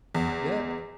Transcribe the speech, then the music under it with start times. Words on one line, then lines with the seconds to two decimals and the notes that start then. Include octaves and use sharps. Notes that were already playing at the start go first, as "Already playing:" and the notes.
"Not yet."
0.14 E2